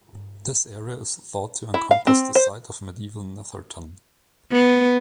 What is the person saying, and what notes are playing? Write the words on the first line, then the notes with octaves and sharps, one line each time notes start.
This area is thought to encompass the site of medieval Netherton.
E4
F5
C4
C5
B3